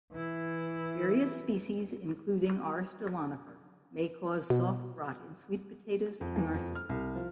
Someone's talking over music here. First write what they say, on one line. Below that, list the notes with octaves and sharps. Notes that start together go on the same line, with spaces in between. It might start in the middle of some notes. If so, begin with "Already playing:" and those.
Various species, including "R. stolonifer", may cause soft rot in sweet potatoes and "Narcissus".
E3 E4
B2
F2
E2
F2
F6
C2
F3